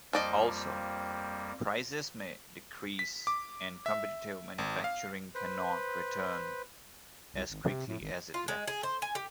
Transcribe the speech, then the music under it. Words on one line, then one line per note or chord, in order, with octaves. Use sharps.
Also, prices may decrease and competitive manufacturing cannot return as quickly as it left.
F2 F3 G3 A#3 D5 D#5
B6
D6
E5
G#1
F5
B4 C5
C2
G#1
C3
A2
G#1
F4
G#3
G#4
C5
G#5
G4